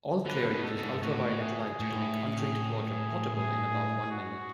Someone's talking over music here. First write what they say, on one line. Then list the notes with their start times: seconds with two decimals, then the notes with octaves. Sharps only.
All Clear uses ultraviolet light to make untreated water potable in about one minute.
0.25 D3 B4
0.51 B2
0.63 A4
0.77 G#2
1.02 A2 F#4
1.41 G#4
1.80 A2
3.34 G#4
4.11 F#4